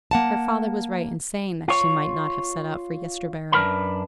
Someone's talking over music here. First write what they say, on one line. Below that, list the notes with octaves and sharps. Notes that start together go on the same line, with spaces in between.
Her father was right in saying that she might not have set out for Yesterbarrow.
A#3 F#5 A5
F4 C#5
F#2 D4 A#4 B4 F#5 B5